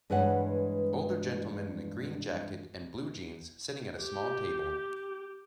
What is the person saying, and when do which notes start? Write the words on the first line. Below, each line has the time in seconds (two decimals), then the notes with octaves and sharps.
Older gentlemen in a green jacket and blue jeans sitting at a small table.
0.10 G2 E3 G#3 B4 C#5 F#5
4.02 G4